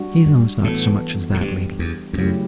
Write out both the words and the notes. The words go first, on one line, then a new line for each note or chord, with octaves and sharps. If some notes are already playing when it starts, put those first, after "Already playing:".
'He knows not so much as that, lady.'
Already playing: G3 D4 F#4
G2
A2 E3 B3 F#4 A4
A2
G2 G3 D4 G4
E2
E2
F#2 C#3 F#3 A3 E4 G4